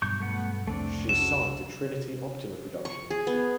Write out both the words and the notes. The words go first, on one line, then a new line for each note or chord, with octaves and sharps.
She is signed to Trinity Optima Production.
G2 B2 F#3 C#6 G6
A3 B3 F#5
C2 F2 A3 C4 D4
C#4 F#4 A4 E7
C#6
G#4
B3